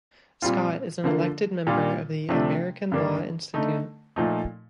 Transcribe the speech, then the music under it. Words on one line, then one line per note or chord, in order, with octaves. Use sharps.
Scott is an elected member of the American Law Institute.
A#2 G3 C4 F4
D3 F3 A#3
A#2 G3 D4 F4
C3 F3 A3 D4
G2 D3 G3 A#3 D4
D3 A3 D#4
A#2 F3 A3 D#4